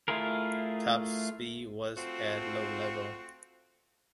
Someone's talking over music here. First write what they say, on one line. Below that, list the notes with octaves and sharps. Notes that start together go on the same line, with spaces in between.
Top speed was at low level.
A3 E4 F4 G#4 A#4
A3 C4 F4 F#4